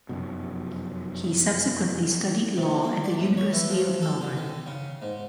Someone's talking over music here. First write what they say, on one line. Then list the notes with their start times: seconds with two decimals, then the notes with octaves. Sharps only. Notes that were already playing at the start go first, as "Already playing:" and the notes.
He subsequently studied law at the University of Melbourne.
0.09 F1 F#2 B2
2.57 C3
2.83 A#3
3.04 D5
3.19 F#2
3.37 C#5
3.53 E3
3.70 F3
4.02 A4
4.21 D3
4.37 D#3
4.67 C#3
5.02 G#2